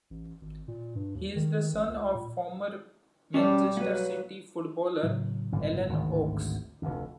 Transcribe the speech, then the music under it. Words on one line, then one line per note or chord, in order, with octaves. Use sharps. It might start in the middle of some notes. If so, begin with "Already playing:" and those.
He is the son of former Manchester City footballer Alan Oakes.
A1
G#1
A#2
G2
D#2
D#3
A1
C#2
A#2
B1 G3 C#4 A5
F#3 A#3 B4
A2 C#3 F#3
G1
G#1 D2
F1 D2